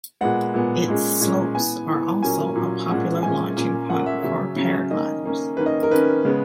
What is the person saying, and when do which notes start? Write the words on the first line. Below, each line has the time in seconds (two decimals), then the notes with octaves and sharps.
Its slopes are also a popular launching point for paragliders.
0.21 A#2 G#3 B3 F#5
0.54 A#2 G#3 B3
0.88 A#2 G#3 C#4
1.21 A#2 G#3 C#4
1.55 E3 B3 G#5
1.89 E3 B3
2.22 A#2 F#3 A#3 C#4 G#5
2.56 A#2 F#3 A#3 C#4
2.89 A#2 G#3 C#4 F#5
3.23 A#2 G#3 C#4 G#5
3.57 A#2 A#3 C#4
3.89 A#2 A#3 C#4 F#5
4.06 E5
4.23 C#3 F#3 C#4 E5
4.56 C#3 F#3 C#4
4.91 D#3 A#3 C#4 D#5
5.24 D#3 A#3 C#4
5.57 D#3 A#3 C#4 B4
5.66 D#5
5.83 A#4
5.91 D#3 A#3 C#4 B4
6.25 C#3 G#3 B3